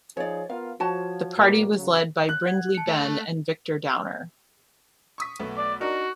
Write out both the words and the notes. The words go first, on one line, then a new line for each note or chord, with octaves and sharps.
The party was led by Brindley Benn and Victor Downer.
F3 D#4 G#4 C#5 D5
B3 F4 A#4 F5
F3 F#4 C#5 A5
A2 G3 A#3
C#3 F#3
F#6
F#5 G#6
A5 C#7
A3
C#6 D#6 B6
B1 A3 B3
D5
D4 D#4 F#4 A#4